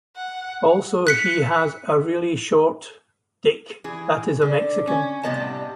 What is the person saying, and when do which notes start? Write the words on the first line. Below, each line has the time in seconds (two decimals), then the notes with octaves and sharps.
Also he has a really short d!ck that is a mexican.
0.16 F#5
1.07 F#6 B6 C#7
3.84 E3 G#4
4.42 D3
4.87 C#4
5.23 A2 C3 G3 B3 D#5 A5